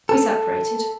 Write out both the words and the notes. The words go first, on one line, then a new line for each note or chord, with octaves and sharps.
We separated.
A4